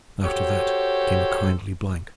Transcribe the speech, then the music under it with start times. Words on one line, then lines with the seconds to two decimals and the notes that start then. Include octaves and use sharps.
After that came a kindly blank.
0.23 F#4 G4 A4 C5 C#5